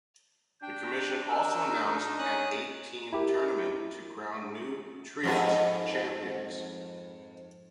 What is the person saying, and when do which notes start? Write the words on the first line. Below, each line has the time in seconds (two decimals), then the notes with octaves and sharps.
The Commission also announced an eight team tournament to crown new trios champions.
0.62 D4 G5 G6
1.29 A#4 E6
1.67 D#4
2.19 C#4 D#6 F#6
3.13 E4 G4 A#4
5.23 F2 G#2 B4